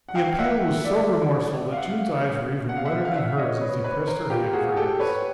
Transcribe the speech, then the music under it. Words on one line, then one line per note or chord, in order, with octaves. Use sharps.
The appeal was so remorseful that Jude's eyes were even wetter than hers as he pressed her hand for Yes.
F#5
F5 G5
E5 F#5
D5 E5
F5
E5 F#5
F#5
F5
E5 F#5
F5
E5 F#5
C#5 D#5
B4 C#5
B4 C#5
A#4 C5
F4 G4
F#4 G#4
G4 A4
B4 C#5